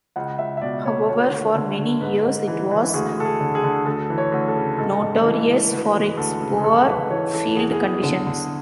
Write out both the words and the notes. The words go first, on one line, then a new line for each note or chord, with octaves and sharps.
However, for many years it was notorious for its poor field conditions.
C#2 F#5
C#2 E5
E5
B2 D5
B2 C#5
D2 C#5
D2
D3
D3
G#2 B4
G#2
E3
E3
D2 G#4
D2 A4
G#4
D3
G#4
D3
D2 A4
E3
C#5
D2
A4
C#3
G#2 A4
G#2
E3
E3
D2 B4
E3
B4
D2 A4
C#3
G#4
G#2 A4
G#2 B4
E3 C#5
E3 A4
E2 G#4
G#4
E2
D3
D3